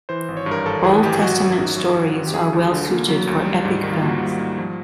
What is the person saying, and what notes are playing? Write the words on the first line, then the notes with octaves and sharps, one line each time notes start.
Old Testament stories are well suited for epic films.
E3 C5
G#1
C#5
G2
A#4
G#1 A4
E3 G#4
G#1 G4
F#3 F#4
F#2
D#3
F#2
F#3
F#2
G4
F#3 G#4
D2
D3
A#3
F#3
D2
G3
G#2
D#3
F4
A#3 F#4
G3
G#2
F3